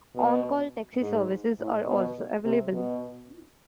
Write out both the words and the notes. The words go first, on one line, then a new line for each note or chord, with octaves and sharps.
On-Call taxi services are also available.
B2
G#2
A2
B2
C3
B2